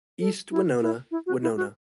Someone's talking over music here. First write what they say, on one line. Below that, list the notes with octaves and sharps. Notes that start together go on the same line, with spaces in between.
East Winona - Winona.
A4
E4
E4
E4
F#4
E4
F#4